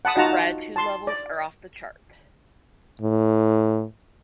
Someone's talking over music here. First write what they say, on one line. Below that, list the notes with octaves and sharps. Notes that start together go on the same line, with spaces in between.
Our gratitude levels are off the chart.
F#5 A5 B5 D#6
D#4 F4 F#4 F#5 A5 A#5
A5 C6
D5
A2